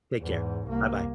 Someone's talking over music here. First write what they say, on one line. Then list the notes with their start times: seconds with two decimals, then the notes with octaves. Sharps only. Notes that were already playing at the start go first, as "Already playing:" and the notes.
Take care. Buh-bye.
0.21 E2 G#2
0.67 C2 A#3